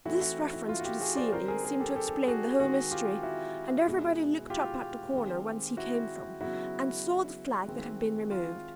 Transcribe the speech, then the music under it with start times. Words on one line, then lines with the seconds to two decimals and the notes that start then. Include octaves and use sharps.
This reference to the ceiling seemed to explain the whole mystery; and everybody looked up at the corner whence he came from, and saw the flag that had been removed.
0.05 E3 A3 C4 E4 F#4
0.21 E4 F#4
0.53 E4
0.69 F4
0.80 F#4
0.85 F4 G4
1.01 F#4 G#4
1.16 C5 D5
1.32 D3 G3 C4 A#4 C5
1.48 G#4 A#4
1.64 G#4 A#4
1.80 G4 A4
1.96 G4 A4
2.28 F#4 G#4
2.59 D#3 G#3 C4 F#4 G#4
2.91 F4 G4
3.23 E4 F#4
3.86 B2 G#3 B3
4.50 F4 G4
5.13 D#3 G#3 C4
5.77 E4 F#4
6.41 C#3 F#3 B3 E4 F#4
7.68 D#3 G#3 C4
8.31 F4